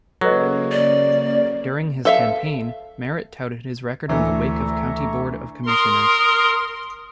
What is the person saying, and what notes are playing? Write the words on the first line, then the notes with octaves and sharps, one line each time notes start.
During his campaign, Merritt touted his record on the Wake County Board of Commissioners.
C#3 F#3 A#3 A4 B4 D#5
D5
A4 E5 F5
D2 D3 E3 A3 E5 A#5 C#6
A#4 C6 D#6